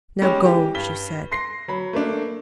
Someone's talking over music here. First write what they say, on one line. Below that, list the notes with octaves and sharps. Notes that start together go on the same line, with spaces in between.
"Now go," she said.
G3 G#3 C#4 G4 C#5
E3 G4
G2 B6 G7
C6 A#6 C7
F#3 B5
A3 A#3 D4